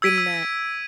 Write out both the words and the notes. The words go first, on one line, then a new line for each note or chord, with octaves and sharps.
in that,
E6 G#6 B6 D7 D#7
E6